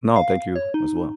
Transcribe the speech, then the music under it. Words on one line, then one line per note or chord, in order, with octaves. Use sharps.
No, thank you, as well.
F5
C#5
D#4